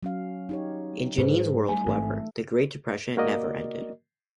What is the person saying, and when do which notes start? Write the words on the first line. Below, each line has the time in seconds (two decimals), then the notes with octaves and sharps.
In Jeannine's world, however, the Great Depression never ended.
0.03 F#3 C#4 F5
0.49 D#4 G4 C#5
1.18 G#2 G#4 B4 C5
1.69 G3 A3 G#5
1.86 A1 G#2 E3 A3 C4
3.17 A#3 F#4 A#4 D5 D#5